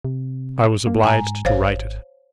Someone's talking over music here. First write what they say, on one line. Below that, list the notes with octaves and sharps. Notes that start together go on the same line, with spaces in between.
I was obliged to write it.
C3
A#3
G#2 G#5 A#5
G#1 C5 C#5 F5